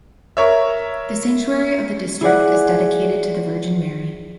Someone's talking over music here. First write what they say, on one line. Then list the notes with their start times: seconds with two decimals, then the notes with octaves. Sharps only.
The sanctuary of the district is dedicated to the Virgin Mary.
0.37 A#4 C#5 E5
2.21 E4 G#4 D5 F#5